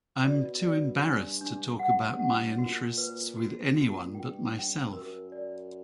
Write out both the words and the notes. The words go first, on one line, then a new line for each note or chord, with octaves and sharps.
I’m too embarrassed to talk about my interests with anyone but myself.
B2 D5
D5
G2 D4
D4
F#5
F#5
A#2 F#4
B4
A#2 F#4
F#4
G2 G5
G5
F#2 A#4
D5